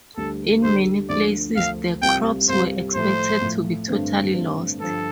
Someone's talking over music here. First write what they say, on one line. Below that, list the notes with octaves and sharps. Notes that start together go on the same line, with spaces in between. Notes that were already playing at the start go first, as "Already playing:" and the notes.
In many places, the crops were expected to be totally lost.
D2 D3 G3 A4
D2 D3 G3 C5
D2 D3 F3 D5
D2 D3 F3 F5
C2 C3 G3 C4 F4 G5
C2 C3 G3 C4 F4 C5
A2 F3 A3 C5
A2 F3 A3
G2 D3 A3 C4
G2 D3 A3 C4
G2 D3 F3 A4